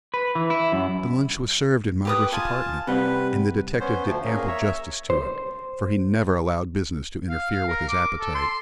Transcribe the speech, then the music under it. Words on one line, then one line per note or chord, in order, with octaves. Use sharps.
The lunch was served in Margaret's apartment, and the detective did ample Justice to it, for he never allowed business to interfere with his appetite.
B4
E3
E4
F#2
G4 B4 D#6
F4 G#5 A5
C3 G3 B4 F#5
B3 C#4 C5
D2 F3
A#2 A#3 C#4 G#4
C#5 E5 A#5
C5
F5
F5
A#4
D6
A4
C6